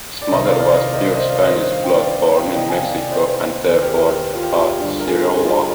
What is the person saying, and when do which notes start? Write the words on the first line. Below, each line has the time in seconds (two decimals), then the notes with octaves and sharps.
His mother was of pure Spanish blood born in Mexico, and therefore, a criolla.
0.22 D5
0.31 C2 C3 D#3 C5 D#5
0.45 D5 F5
0.60 D5 F5
0.74 D#5
0.84 D5
0.94 C5 D#5
1.15 C5 D#5
1.29 D5 F5
1.44 G2 D#3 C5 D#5
1.58 C5 D#5
1.71 F5
1.83 G5
1.95 D5 F5
2.28 F5
2.35 G5
2.42 D5 F5
2.56 C2 C3 D#3 D#5 G5
2.69 F5 G#5
2.77 G5
2.84 D5 F5
2.97 D5 F5
3.11 C5 D#5
3.68 D#2 D#3 G#4 C5
3.82 G4 A#4
4.35 F4
4.43 G4
4.52 F4 G#4
4.80 G2 D3 F3
5.00 A#4
5.08 F4 G#4
5.22 G4
5.36 F4 G#4